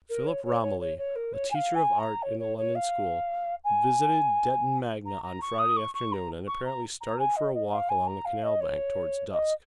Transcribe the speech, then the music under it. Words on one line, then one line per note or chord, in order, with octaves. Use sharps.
Philip Romilly, a teacher of art in a London school, visited Detton Magna on Friday afternoon and apparently started for a walk along the canal bank, towards dusk.
A#4
C#5
C#5
C#5
C#5
C#5
A#4
C#5
G#5
F5
G#5
A#5
C#5
C#5
C#5
F5
G#5
A#5
A#5
C#6
D#6
C#6
C#6
A#5
C#6
A#5
A#5
G#5
D#5
D#5
F5
G#5
A#5
F5
D#5
C#5
D#5